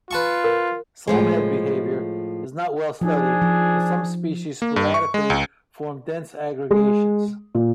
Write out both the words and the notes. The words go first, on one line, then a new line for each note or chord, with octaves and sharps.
Slimehead behaviour is not well studied, but some species sporadically form dense aggregations.
F4 B4 A5 C#6
A#4
A2 F3 G#3
F3 D4 D#4 G#4
F3
A#3
G2
C#6
G#3
C#2
G#3
A#2